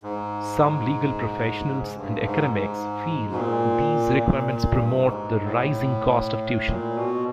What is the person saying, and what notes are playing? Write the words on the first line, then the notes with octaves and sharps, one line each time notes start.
Some legal professionals and academics feel these requirements promote the rising cost of tuition.
G#2
G2
G#2
G#2
B2
A#2
A#2
A#2
G2
G#2
A2
A#2
B2